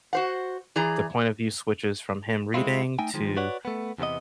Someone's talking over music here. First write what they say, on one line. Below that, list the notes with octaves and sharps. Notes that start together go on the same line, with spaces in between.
the point of view switches from him reading to
F#4 C5 F#5
E3 G#4 D5 A#5
G#3 C4 E4 F4
A3 D#4 G5 G#5
D#3 F3 G#3
F#4 B4 C#5 D5 F#5
A3 B3
E2 C3 E3 B3 D#5